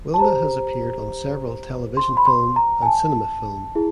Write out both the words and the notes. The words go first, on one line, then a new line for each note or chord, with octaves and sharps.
Wilda has appeared on several television film and cinema film.
A5
G4 C5 A#5
C6
B5
C6
A#5
G#5
A5
E4 G#4